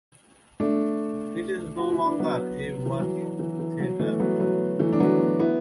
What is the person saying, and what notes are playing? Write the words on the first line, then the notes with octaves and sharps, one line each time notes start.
It is no longer a working theater.
A3 D4
F#4
E4
D4
F#3 B3
E3
F#3
E3
E3
F#3
E3 A3
F#3 B3
F#3 B3
E3 A3
D4
F#3 B3
B3 E4